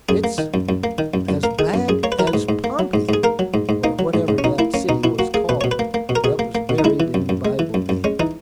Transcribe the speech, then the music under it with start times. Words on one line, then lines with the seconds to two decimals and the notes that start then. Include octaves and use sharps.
"It's as bad as Pompey, or whatever that city was called that was buried in the Bible days."
0.09 F#2 G#4
0.24 A#3
0.38 D#3
0.54 F#2
0.69 F#2
0.84 A#3
0.98 D#3
1.14 F#2
1.29 F#2
1.43 A#3 A#4
1.59 D#3 G#4
1.74 F#2
1.88 F#2 G#4
2.03 A#3 C#5
2.12 B4
2.19 F#3 A#4
2.27 B4
2.34 G#2
2.49 G#2
2.64 A#3
2.79 F#3
2.94 G#2
3.09 G#2 G#4
3.24 A#3 A#4
3.39 F#3
3.54 G#2
3.69 G#2
3.84 A#3 D#4
3.99 F#3
4.14 G#2
4.28 G#2
4.38 C#4
4.44 B2 D#4
4.59 A#3 E4
4.74 A#3 C#4
4.89 B2 D#4
5.04 B2 E4
5.19 A#3 F#4
5.34 A#3 G#4
5.49 B2 B4
5.61 B2 C#5
5.71 B4
5.79 A#3
5.94 A#3
6.09 B2
6.15 A#4
6.24 B2 G#4
6.39 A#3
6.55 A#3
6.69 B2
6.78 D#4
6.84 G#3 E4
7.00 E3
7.14 F#2
7.29 F#2
7.45 G#3
7.59 E3
7.74 F#2
7.89 F#2
8.04 G#3 C#4
8.20 E3 D#4